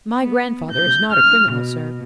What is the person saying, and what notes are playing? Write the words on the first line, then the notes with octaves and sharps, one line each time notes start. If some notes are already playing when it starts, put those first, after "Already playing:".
"My grandfather is not a criminal, sir."
B3
G6
F6
B2